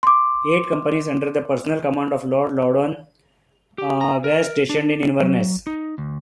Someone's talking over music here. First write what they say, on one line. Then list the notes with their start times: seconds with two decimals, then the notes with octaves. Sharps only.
Eight companies, under the personal command of Lord Loudoun, were stationed in Inverness.
0.03 C6 D6
3.78 G4
4.01 A#5
4.24 A#4
4.70 D4
5.22 F#3
5.67 D#4
5.98 D2